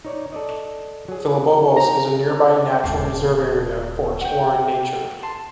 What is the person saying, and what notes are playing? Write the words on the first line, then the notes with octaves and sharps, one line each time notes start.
Filobobos is a nearby natural reserve area for exploring nature.
D#4 C#5 D5
A4 D5 D#5
F#3 G#4
D#4 A#5
D#1 F5 A5 D6
E4 F#5 G5
A5 C6